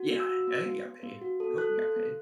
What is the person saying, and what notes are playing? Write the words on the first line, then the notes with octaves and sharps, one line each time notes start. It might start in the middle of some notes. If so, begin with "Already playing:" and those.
Yeah! I think he got paid. I hope he got paid.
Already playing: F#4
B3
E6
F#4
B3
B3
B3
B3
F#4
A4
A4 F#6
B3
B3